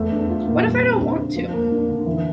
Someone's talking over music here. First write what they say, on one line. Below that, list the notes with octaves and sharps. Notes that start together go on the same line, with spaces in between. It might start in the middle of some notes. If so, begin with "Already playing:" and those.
What if I don't want to?
Already playing: E2 A3
D4
F4
A#2
G3
C4
D3
D3
F3
A#3
D4
D3
E3